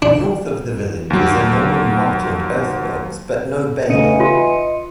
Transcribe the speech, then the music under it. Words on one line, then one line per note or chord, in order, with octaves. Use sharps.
North of the village is a Norman motte and earthworks but no bailey.
D4
D#2 F#3
C#3 E3 A3 D#4 E4 D#5 C#7 D#7
F4 C6